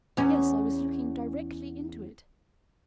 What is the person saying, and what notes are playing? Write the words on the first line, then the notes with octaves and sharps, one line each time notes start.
"Yes, I was looking directly into it."
E2 C#4